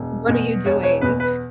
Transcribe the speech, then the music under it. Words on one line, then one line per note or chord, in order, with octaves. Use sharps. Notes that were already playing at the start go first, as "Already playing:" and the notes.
What are you doing
Already playing: E1
E2 B2
E1 C#5
C#5
E2 B2 B4
B4